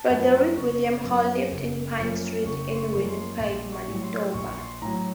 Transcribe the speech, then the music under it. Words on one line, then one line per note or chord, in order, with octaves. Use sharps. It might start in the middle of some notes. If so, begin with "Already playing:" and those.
Frederick William Hall lived on Pine Street, in Winnipeg, Manitoba.
Already playing: A5
F#2 F3 A#3
A#5
F#1 C#6
F#2 F3 A#3
F#1
F#2 F3 A#3
F#1 C#6
C6
C#6
F#2 F3 A#3
C6
A#1 C6
C#6
A2 F#3
C6
A#1 C#6
C6
A2 F#3 A#5